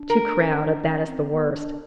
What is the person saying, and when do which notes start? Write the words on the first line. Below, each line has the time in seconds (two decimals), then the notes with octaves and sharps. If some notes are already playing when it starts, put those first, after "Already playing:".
Too crowded, that is the worst.
Already playing: D4
0.10 A#4
0.39 C#4
0.62 D4
0.85 C#4
1.07 C4
1.30 B3
1.53 D4